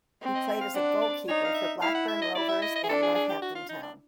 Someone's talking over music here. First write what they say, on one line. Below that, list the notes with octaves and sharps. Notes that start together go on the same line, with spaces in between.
He played as a goalkeeper for Blackburn Rovers and Northampton Town.
C4
D#5
E5
F5
D4 F#5
D5
D#4 C#5
F5
E5
E4 F5
F#5
E5
D#5
E4 D5
E5
D#5
D#5
G#4
D4 A4
G#4
G#4
G4
F#4
F4
D#4
D4